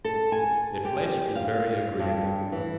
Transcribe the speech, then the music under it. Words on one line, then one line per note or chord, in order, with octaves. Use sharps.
Their flesh is very agreeable.
A4
G#5
G4
F5
G2
E3